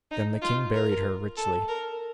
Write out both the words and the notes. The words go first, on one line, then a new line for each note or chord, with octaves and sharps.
Then the king buried her richly.
D#4
F4
A#4
A4
A#4